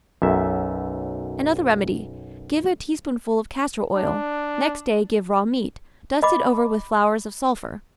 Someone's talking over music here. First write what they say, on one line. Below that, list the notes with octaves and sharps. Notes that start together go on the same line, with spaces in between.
Another remedy: give a teaspoonful of castor oil; next day give raw meat, dusted over with flowers of sulphur.
B1 F#2 E5
D4
D#5 B5 D6